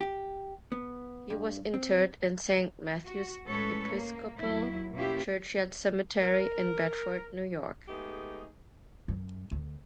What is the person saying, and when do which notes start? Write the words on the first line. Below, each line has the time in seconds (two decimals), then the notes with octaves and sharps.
He was interred in Saint Matthew's Episcopal Churchyard cemetery in Bedford, New York.
0.01 G4
0.72 B3
1.30 G2
1.74 C4
3.06 F#4
3.47 A2 G#3 C#4 A4 B4 C#5
3.89 A#3
4.40 D#2 F#3 E4
4.93 B2 A#3 C#4 E4 F4 G4
6.22 A#4
7.88 G#3 A3 B3 D#4 G4 G#4
9.08 F#2
9.51 D2